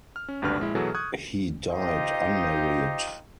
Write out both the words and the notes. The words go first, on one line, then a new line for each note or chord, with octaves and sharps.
He died unmarried.
F6
C#4
G#1 D2 G2 D4 B4 F6
A#1 G#3 E4
B2 E3 F#3 F#4 G#4 A4
C#6 D#6 F#6 G#6
D#4 F4 G4 C5 D#5